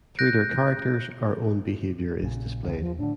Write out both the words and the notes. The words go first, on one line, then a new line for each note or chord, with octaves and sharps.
Through their characters, our own behaviour is displayed.
F#6 G6 A#6 D7
A#1 A#2 C#3
C#2 D3 E3
E2 F3
A2 D3 D4